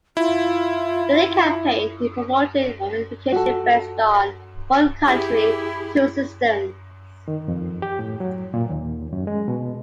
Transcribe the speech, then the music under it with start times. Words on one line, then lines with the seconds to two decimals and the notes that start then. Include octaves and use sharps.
During the campaign, he promoted unification based on "one country, two systems".
0.17 E4 F4
3.32 F#4 A4
5.07 E4 G4 G#4
7.28 D#3
7.48 F2
7.82 G4
7.99 A2
8.20 F#3
8.54 A#2
8.70 D#2
9.13 F#2
9.27 G#3
9.48 B2